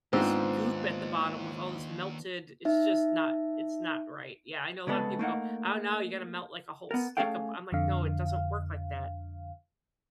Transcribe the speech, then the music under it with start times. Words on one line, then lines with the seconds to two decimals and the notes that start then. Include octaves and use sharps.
this goop at the bottom with all this melted it's just not it's not right, yeah, I know a lot of people go, "Oh, no, you gotta melt, like, a whole stick of" I'm like, "No, it doesn't work like that."
0.13 D#2 G#2 B3 C4 D4 F4
2.65 D#4 E5
4.87 C2 C#3 G#3 B3 A4
5.19 A3 A#3 D#4 F#5
6.91 B3 A#4
7.17 A3 C#4 G#4 A4 F5 G5
7.72 F2 D3 F5